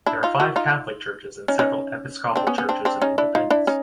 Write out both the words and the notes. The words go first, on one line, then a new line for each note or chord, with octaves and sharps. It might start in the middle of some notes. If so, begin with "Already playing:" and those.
There are five Catholic churches and several Episcopal churches in Independence.
D4 E4
D#4 F4
E4 F#4
D#4 F4
C#4 D#4
C#4 D#4
C4 D4
B3 C#4
B3 C#4
C4 D4
C4 D4
C#4 D#4
D4 E4
D#4 F4
D4 E4
C#4 D#4